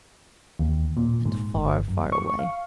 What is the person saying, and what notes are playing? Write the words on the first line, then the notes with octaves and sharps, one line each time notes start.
And far, far away.
D#2
A#2
G#2
G1
F#2
C#6
F5